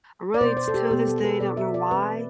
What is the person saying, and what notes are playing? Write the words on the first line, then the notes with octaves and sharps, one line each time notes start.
Really, it's till this day, I don't know why,
D5
B2 B3 C5
C5
A4
G4
B2 B3 G4
A4
A4
B4
B2 B3 D5
E5
D5
E3 A3 C4 B4